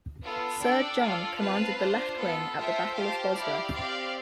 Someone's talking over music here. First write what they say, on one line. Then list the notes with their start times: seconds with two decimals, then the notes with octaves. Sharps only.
Sir John commanded the left wing at the Battle of Bosworth.
0.22 B3 F4 A4
0.61 D4 A4 D5 G5
1.00 F4 A4 D5 F5
1.39 C4 F4 B4 F5 A5
1.78 D4 F4 C5
2.17 B3 F4 A4
2.56 F4 A4 C5 E5 G5
2.95 G4 C5 F5 A5
3.34 E4 G4 D5 F5
3.73 C4 G4 D5 F5